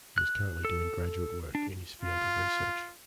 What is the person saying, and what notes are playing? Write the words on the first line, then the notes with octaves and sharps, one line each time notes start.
He is currently doing graduate work in his field of research.
F#6
A4
D4
F4